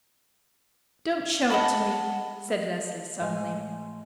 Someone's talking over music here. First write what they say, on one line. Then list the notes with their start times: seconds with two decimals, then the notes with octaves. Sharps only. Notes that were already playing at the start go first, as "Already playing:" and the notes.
"Don't show it to me," said Leslie suddenly.
1.50 D#5 F#5 A5 B5
3.20 A2 G#3 G#5